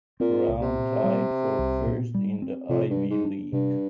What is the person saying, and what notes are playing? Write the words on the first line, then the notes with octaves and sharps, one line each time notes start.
Brown tied for first in the Ivy League.
A#2 C4
C2
C3
A#2
G3
C4
C2
A#2
G3
C4
F2 C3
G2
G3
G#2
D4
G2 C3